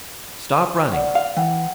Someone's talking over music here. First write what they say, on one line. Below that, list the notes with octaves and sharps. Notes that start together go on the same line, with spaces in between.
Stop running.
D5 F#5
F5
E3 F#5 G5